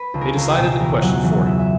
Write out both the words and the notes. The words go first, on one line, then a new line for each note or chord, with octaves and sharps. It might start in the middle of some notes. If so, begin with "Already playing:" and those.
They decided the question for him.
Already playing: B4
C#2
A#4
C#2
A#4
G4
B2
E2 A#4
F#3 F#5
E2 F#5
E2 E5
E5